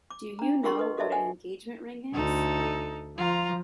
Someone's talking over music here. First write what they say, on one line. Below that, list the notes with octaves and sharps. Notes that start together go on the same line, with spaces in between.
Do you know what an engagement ring is?
D6
D4 A#5
F4 G#4 A#4 F#5 C6 C#6
A4 B4 D#5
F#4 A4 D#5 E5 A5
F#5 G#5
D2 D#4 A4
F3 F4 A#5